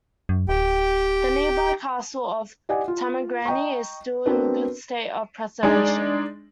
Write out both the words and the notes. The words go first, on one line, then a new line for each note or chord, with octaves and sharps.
The nearby castle of Tuamgraney is still in a good state of preservation.
F#2
D1 G4 G5
G4 D5 D#5 F#5 G#5
F4
D#5 G5 A#5 C#6
B3 C4 D4 F#4 A#4 B4
G#3 D4 D#4 G#4